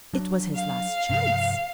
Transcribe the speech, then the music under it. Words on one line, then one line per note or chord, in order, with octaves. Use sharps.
It was his last chance.
F#3 D4
F5
G2 C3 F3